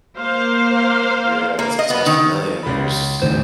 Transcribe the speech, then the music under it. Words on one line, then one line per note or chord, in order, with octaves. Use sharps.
Yeah, it's it's almost a million years.
A#3 C5 F5
A#3
D#5
B3
D#3
C#2 B5
E2 A2 D#3 C5